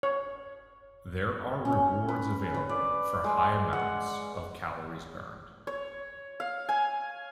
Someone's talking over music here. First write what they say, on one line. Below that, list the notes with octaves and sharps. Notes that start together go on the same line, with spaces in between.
There are rewards available for high amounts of calories burned.
C#5
C#4
B4
B4
D5
G#3
F#5
C#5
F5
G#5